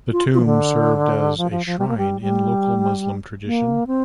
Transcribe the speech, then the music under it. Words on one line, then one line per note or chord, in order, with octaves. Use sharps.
The tomb served as a shrine in local Muslim tradition.
F4
F4
F3
D3
F3
F3
F3
G3
A#3
G3
G3
A#3
C4